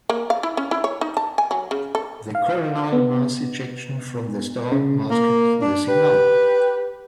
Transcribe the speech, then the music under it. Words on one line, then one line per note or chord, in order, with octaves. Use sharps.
The coronal mass ejection from the star masked the signal.
A#3
F5
E4
C#4
E4
C#5
D#4
A5
G#5
F#3
C#3
A4
F5
B3
C#3
A#3
D4
G4 B4